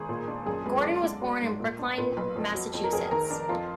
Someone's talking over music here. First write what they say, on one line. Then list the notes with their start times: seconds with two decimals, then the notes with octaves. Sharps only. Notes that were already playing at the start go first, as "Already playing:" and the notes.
Gordon was born in Brookline, Massachusetts.
Already playing: G#1 G#4
0.09 A#2
0.28 D4
0.46 F#2 G#4
0.66 G#3 B4
0.84 D3 D5
1.03 G#3
1.22 F#3
1.42 G#2
1.60 A#2
1.79 D4
1.98 A#2 B4
2.17 B1 B4
2.36 F2
2.54 F#3
2.74 F2
2.84 A#4
2.92 F1 G#4
3.11 D#3 A#4
3.31 D4
3.49 F2 F4